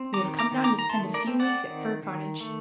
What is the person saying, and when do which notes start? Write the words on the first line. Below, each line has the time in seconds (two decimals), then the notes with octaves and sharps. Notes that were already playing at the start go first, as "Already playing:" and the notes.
We have come down to spend a few weeks at Fir Cottage.
Already playing: C4
0.14 D#3 A#5 D6
0.39 A#5 D6
0.52 D#3
0.64 A#5 D6
0.79 A#5
0.89 A3 A5 C6
1.14 A#4 D5
1.27 C4
1.40 D5 F#5
1.65 D#3
2.03 D#3
2.41 A3